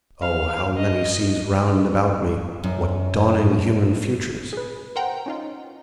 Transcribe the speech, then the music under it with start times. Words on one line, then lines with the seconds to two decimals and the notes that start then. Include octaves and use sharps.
Oh, how many seas round about me, what dawning human futures!
0.22 F5
0.77 D#5
2.64 F#2
4.53 G#4 B4
4.96 A#4 C5 F#5 G5 A#5
5.26 C#4 D#4 F4